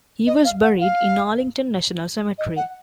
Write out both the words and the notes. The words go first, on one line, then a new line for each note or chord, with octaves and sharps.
He was buried in Arlington National Cemetery.
D#5
F5
F#5
F5
D#5
F#5